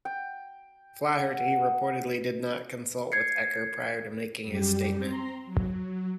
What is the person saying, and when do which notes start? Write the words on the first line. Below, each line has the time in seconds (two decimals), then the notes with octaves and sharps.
Flaherty reportedly did not consult with Ecker prior to making his statement.
0.05 G5
1.18 F#5
3.12 G#6 C7 C#7
4.45 F#2 G3 G4
4.97 C4 A#5 C6
5.45 F#3